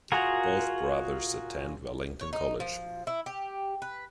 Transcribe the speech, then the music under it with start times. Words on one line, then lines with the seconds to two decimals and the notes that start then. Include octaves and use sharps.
Both brothers attended Wellington College.
0.12 F4 F#4 G#4 A#4
2.21 C#5
2.33 D#4
2.60 F3
3.07 E4
3.26 G4
3.82 B4